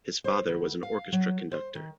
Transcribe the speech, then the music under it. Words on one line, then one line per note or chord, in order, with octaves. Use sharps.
His father was an orchestra conductor.
C5
D2
F5
F#3
C5
D#3